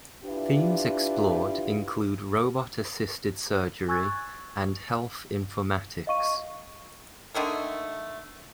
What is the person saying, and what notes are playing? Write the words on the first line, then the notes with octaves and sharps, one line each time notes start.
Themes explored include robot-assisted surgery and health informatics.
D4 E4 F4 G4 B4
G#5 C#6 E6 F#6 G#6 A6
D#5 F5 C#6 D#7
D3 D#3 A3 A#3